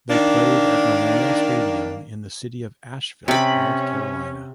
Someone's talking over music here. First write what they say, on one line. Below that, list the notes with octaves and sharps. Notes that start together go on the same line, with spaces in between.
They played at Memorial Stadium in the city of Asheville, North Carolina.
D#3 A#3 D4
C3 C#4 B5